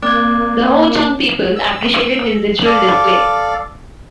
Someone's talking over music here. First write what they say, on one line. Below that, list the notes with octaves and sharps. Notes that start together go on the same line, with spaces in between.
The Ho-Chunk people appreciated his ritual display.
A#3 C4 D5 D6 F#6 G#6
E6
A4 D5 F5